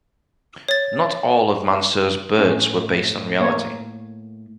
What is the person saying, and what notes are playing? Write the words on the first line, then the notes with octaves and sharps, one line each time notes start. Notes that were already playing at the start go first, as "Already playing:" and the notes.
Not all of Mansur's birds were based on reality.
C#5 A6
A2 C#4
A#3 C#5